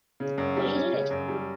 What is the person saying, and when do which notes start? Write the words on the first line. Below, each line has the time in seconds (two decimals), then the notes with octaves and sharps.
But he did it!
0.20 C#3
0.38 F#2
0.57 G3
0.75 C#4
0.93 C#3
1.11 F#2
1.28 G3